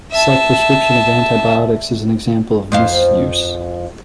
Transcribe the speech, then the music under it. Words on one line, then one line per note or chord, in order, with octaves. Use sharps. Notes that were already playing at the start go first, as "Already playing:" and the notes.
Self prescription of antibiotics is an example of misuse.
E5 A5
F2 C5 F5